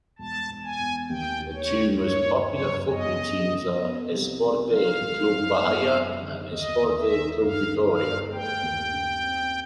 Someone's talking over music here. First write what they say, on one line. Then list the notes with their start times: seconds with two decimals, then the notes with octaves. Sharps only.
The two most popular football teams are Esporte Clube Bahia and Esporte Clube Vitoria.
0.18 E1 A5
0.50 E1
0.64 G#5
0.79 E2
1.09 D#2 G5
1.39 D#2
1.54 C#5
1.70 C#3
2.00 G1 C#5
2.30 G1
2.45 C#5
2.60 F#2
2.90 E2 D#5
3.20 E2
3.51 C#3
3.81 B3
4.11 C2
4.41 B2
4.71 F#3 F5
5.01 G#1
5.31 F#2
5.61 B3
5.92 F#2
6.22 D3
6.51 D#2 D#5
6.82 D#2
6.97 E5
7.12 D#3
7.42 G1 F5
7.73 G1
7.87 F5
8.03 G2
8.32 A3 G5
8.63 D#2
8.93 C#3
9.24 C4